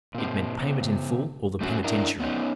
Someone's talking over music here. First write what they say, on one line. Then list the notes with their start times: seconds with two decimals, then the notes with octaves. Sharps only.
It meant payment in full or the penitentiary.
0.15 A#2 C4
0.60 C#3 B3
1.61 G3 A3 C#4 F#4
1.84 D4 E4 A#4
2.20 B3 C#4 D#4